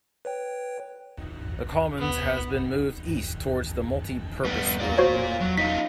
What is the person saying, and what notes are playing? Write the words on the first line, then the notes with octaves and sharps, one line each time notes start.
The commons has been moved east towards the multi purpose room.
B4 C#5 G5
B3
G3 B3
F4 D5
F#4 C5 C#5
F#3
D#4 F4 B6